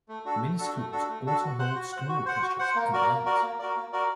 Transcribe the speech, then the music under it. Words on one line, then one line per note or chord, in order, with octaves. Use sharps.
Many schools also hold school orchestras and bands.
A3
D4 F#4 A4
A3
D4 F#4 A4
A3
D4 F#4 A4
A3
D4 F#4 A4
F#4
C5 F#5
F#4
C5 F#5
F#4
C5 F#5
F#4
C5 F#5
A#3
F#4 A#4 D5
A#3
F#4 A#4 D5
A#3
F#4 A#4 D5
A#3
F#4 A#4 D5